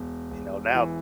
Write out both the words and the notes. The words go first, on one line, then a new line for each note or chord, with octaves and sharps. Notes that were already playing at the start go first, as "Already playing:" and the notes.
You know, now,
Already playing: E1
E1
E3